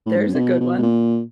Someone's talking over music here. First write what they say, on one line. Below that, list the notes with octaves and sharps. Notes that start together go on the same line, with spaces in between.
There's a good one.
A2
G#2
F#2
C3
B2
B2
B2
A#2